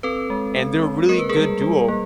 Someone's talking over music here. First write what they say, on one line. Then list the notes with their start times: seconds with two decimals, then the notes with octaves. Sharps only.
and they're a really good duo,
0.03 C4 A4 B4
0.30 G#3
0.56 C4
0.83 G#3
1.09 A#3 A#4
1.19 B4
1.29 G#4 A#4
1.36 G3
1.62 G3
1.88 A#3